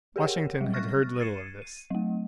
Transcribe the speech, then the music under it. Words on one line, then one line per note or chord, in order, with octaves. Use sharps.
Washington had heard little of this.
G4 G#4 A#4 C#5 F#5 G5
F#3 G3
C#6 F6 F#6 A6 A#6
G#6 A6 C7 C#7 D#7 E7
D#7
F#3 A3